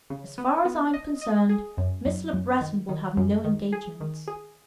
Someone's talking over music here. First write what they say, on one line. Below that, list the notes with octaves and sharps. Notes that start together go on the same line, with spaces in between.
"As far as I am concerned, Miss Le Breton will have no engagements."
C#3
B3
B3
D#5
D#5
G#4
F#2
F#2
F#2
D#3
D#3
F#2
D#3
G#4
D#3
G#4